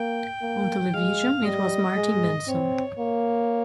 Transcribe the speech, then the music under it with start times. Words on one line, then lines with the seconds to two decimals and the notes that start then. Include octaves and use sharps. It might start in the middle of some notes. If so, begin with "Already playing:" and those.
On television, it was Martin Benson.
Already playing: A#3 G5
0.42 A#3
0.94 G#3 F5
1.45 G3 D#5
1.96 G#3
2.48 C4 C#5
2.99 A#3 C#5